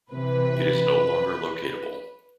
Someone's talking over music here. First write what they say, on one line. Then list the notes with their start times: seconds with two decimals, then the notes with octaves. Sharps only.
It is no longer locatable.
0.12 C3 E3 B4